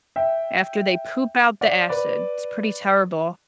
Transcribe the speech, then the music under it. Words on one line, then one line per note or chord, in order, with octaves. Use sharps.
after they poop out the acid. It's pretty terrible.
E5 G5
D5 F#5
B4 D5